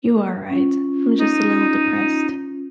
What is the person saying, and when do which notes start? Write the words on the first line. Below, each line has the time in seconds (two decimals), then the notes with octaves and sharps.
You are right. I'm just a little depressed.
0.50 C#4 F4
1.18 D#4